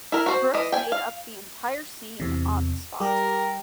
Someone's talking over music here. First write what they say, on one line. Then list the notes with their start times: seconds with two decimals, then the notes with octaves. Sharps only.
Brooks made up the entire scene on the spot.
0.12 E4 A#4
0.26 F#4 C5
0.54 E3 D#5
0.72 G5 G#5
0.92 F5
2.20 E2 C3
3.00 G3 G4 A#4